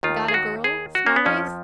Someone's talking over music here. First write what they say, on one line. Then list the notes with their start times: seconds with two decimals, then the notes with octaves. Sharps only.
"Got a girl, Smallways?"
0.03 D#2 D#3 F4
0.28 G#4
0.34 F#4
0.64 G#4
0.95 F#4
1.07 A#3
1.16 B3
1.26 F2 F3 C#4